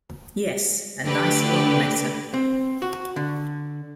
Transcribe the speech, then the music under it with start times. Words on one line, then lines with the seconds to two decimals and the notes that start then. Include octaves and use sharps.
Yes, a nice long letter.
1.04 D3 A3 G4 B4
2.34 C4
2.82 F#4
3.16 D3